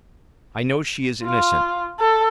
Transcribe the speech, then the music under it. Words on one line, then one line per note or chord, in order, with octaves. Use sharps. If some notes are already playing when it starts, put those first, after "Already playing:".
I know she is innocent.
F4
A4